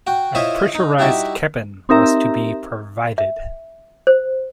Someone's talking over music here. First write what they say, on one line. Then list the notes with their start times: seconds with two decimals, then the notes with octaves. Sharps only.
A pressurized cabin was to be provided.
0.07 F#4 G5
0.35 E4 F4 C5 C#5 D#5 E5
0.75 D#4
0.99 G3 D#4 E4 F#4 E5
1.89 C4 D#4 G4 A#4 E5 A#5
3.18 E5
4.07 C5